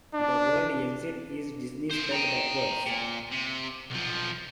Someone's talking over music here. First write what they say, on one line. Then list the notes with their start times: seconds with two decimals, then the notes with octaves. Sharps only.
The word "Yensid" is "Disney" spelled backwards.
0.14 D4
1.90 E3 C5
2.12 G5 A#5
2.86 A#2
3.32 C3
3.91 B1 F3